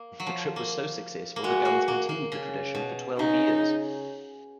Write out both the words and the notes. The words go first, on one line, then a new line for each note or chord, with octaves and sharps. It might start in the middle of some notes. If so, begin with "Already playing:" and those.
The trip was so successful, the Gunns continued the tradition for twelve years.
Already playing: A#3
F#3
F3
A#3
A#3
G#3 F#4
A#3
A#3
A#3
C#3
B2
C#3 D#4